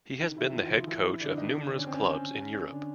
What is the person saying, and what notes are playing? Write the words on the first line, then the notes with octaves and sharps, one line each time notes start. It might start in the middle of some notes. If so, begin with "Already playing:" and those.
He has been the head coach of numerous clubs in Europe.
D#3 D#4
E3 E4
F#4
F3 F4
F3 F4
E3 E4
D3 D4
D#3 D#4
D3 D4
D4
C#4
C4
C#4
C#4
D3 D4